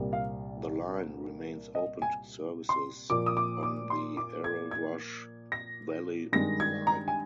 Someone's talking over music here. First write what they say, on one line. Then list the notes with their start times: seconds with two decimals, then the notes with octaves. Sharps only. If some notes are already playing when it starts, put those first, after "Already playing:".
The line remains open to services on the Erewash Valley Line.
Already playing: C2 A#2 G3 A#3
0.13 F5
1.75 D#5
2.02 G#5
2.69 C6
3.10 A#2 F3 A#3 D6
3.26 D#6
3.37 D6
3.63 D6
3.90 C6
4.17 D6
4.44 G#6
4.71 G#6
5.52 A#6
6.33 G2 D#3 G#3 A#6
6.60 G#6
6.87 A#5
7.08 G#5